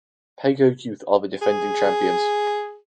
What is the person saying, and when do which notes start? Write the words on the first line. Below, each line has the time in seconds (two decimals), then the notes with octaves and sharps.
Pago Youth are the defending champions.
1.42 G#4